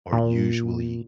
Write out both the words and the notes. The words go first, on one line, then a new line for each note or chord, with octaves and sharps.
or usually
A#2